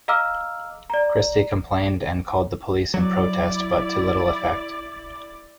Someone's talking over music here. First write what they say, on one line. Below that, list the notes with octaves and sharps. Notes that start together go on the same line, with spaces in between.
Christie complained and called the police in protest but to little effect.
D#5 F5 A#5 D6 E6 F6
D5 A#5
F#3 E4 D5